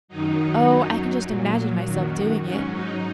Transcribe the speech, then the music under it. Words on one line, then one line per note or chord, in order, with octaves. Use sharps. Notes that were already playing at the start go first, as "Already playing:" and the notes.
Oh, I can just imagine myself doing it.
F#2 D#3 F#3 D#4
F#2 F#3
A#2 F#3
F#2 D#3 F#3
G#2 F#3 C#4
D#4